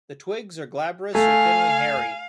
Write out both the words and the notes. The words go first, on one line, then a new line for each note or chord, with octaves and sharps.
The twigs are glabrous or thinly hairy.
A3 F5 G#5